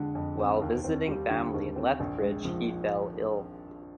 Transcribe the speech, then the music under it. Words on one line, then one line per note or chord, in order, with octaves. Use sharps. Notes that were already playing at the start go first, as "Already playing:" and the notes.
While visiting family in Lethbridge he fell ill.
Already playing: F2 D3 G#3
F2
C4
D#2
C4
G3
D3
D#2
C4
A#1
G#3
F3